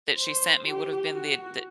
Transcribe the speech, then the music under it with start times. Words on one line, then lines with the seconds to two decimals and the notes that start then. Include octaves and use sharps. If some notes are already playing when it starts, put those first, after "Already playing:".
that she sent me would have been the the
0.18 C5
0.68 G4
1.15 F#4